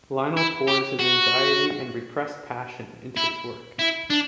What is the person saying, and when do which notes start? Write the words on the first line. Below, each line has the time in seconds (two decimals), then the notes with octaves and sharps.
Lionel pours his anxiety and repressed passion into his work.
0.37 E4
0.68 G4
0.99 F#4
3.17 E4
3.79 E4
4.10 D4